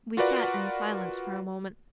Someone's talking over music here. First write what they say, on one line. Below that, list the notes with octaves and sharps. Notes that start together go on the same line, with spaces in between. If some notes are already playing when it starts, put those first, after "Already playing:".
We sat in silence for a moment.
F4 F#4 A#4 B4 D5 F#5